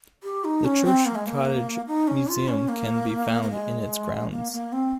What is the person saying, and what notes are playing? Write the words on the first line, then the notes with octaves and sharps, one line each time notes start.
The Church Cottage museum can be found in its grounds.
G4
D#4
C#4
C4
A#3
G#3
A#3
D#4
C#4
F4
C#4
A#3
A#3
G#3
A#3
A#3
C4